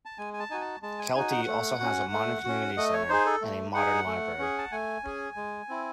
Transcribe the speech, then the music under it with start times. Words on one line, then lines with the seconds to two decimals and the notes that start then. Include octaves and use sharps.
Kelty also has a modern community centre, and a modern library.
0.05 A5
0.18 G#3 G#5
0.33 G#5
0.40 A5
0.50 D#4 F#4 G#5
0.61 A5
0.83 G#3 A5
0.99 G#5
1.15 D#4 F#4 G#5
1.31 F#5
1.48 A3
1.80 C#4 F#4
2.12 A3
2.45 C#4 F#4
2.77 A3 D#5
2.93 C#5
3.09 D#4 G#4 C5
3.26 A4
3.42 A3
3.74 D#4 G#4 F#5
4.07 A3
4.39 C#4 G#4
4.58 A5
4.72 A3 G#5
5.04 C#4 G#4
5.36 G#3
5.69 C4 E4